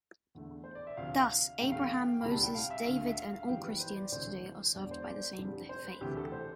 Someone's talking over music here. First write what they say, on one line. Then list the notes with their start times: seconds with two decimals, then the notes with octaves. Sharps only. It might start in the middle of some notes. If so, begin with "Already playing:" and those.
Thus, Abraham, Moses, David, and all Christians today are saved by the same faith.
0.35 E2 D3 A3
0.64 C5
0.75 D5
0.87 E5
0.97 D2 C3 F3 F5
1.60 F1 E2 D3 A3 G5
1.72 F5
1.82 G5
2.21 D2 C3 G3 B5
2.32 A5
2.43 G5
2.55 F5
2.71 E5
2.86 D2 D3 A3 F5
3.07 E5
3.18 F5
3.33 F5
3.49 G1 F2 E3 G3 G5
3.64 B4
3.80 C5
3.96 D5
4.12 D2 C3 E3 A3 C5
4.75 E1 E2 D3 D5
4.91 C5
5.02 D5
5.14 C5
5.38 F1 F2 D3 G3
5.69 C5
5.85 B4
6.01 D2 C3 E3 A3 G4
6.17 A4
6.32 C5